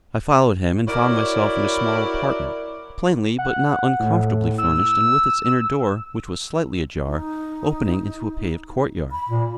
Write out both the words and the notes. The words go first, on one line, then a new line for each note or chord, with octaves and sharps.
I followed him, and found myself in a small apartment, plainly but not uncomfortably furnished and with its inner door, which was slightly ajar, opening into a paved courtyard.
E4 F#4 A#4 C#5 D5
F#5
A2
E6
D#4
B5
A#2